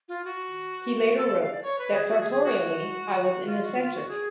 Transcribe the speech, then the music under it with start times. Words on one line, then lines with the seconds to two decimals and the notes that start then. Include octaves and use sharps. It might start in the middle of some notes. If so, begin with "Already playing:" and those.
He later wrote that sartorially I was an eccentric.
0.08 F4
0.25 F#4
1.17 A4
1.27 A4
1.39 F5
1.51 D5
1.63 C#5
1.79 B4
1.94 G#4
2.09 F#4
2.21 G#4
2.31 G#4
2.44 F#4
3.47 F4
3.63 F#4
3.78 F4
3.94 F#4
4.09 G#4